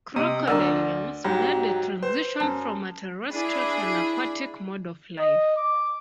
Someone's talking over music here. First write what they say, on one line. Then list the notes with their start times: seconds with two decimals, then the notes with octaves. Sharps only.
Crocodilians made the transition from a terrestrial to an aquatic mode of life.
0.16 C3 D#5 D#7
0.48 D2 D4 A#4 D5 F#5 E6
1.24 G#2 F#3 G4
2.03 B4 C5
2.40 F#2 A5
3.32 D4 E4 G#4 B5
5.18 D#5
5.57 D6